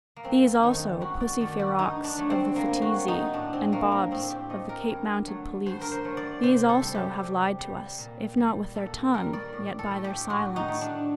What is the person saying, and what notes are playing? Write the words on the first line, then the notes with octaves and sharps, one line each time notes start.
These also, Pussy Ferox of the Phiteezi, and Bobs of the Cape Mounted Police - these also have lied to us, if not with their tongue, yet by their silence.
A#3
F#2 C4
D#3 A3 D#4
F#2 F#4
D5
D#3 A3 D5
F#4
G2 D#4
D4
F#3 A3
C4
G2 A#3
F#4
F#3 A3
D#4
A2 D4
C4
A3 A#3
A#3
A2 C4
G4
A3 D#5
A#4
G2
F#3 A3
G2 C5
A#4
C5
F#3 A3
D5
C3 C5
A4
G3
G4
C3
G3
A#2
G3
A#2 A4
G3 A#4
D5
A2
A4
A3
G4
A2 F#4
D#4
A3
D4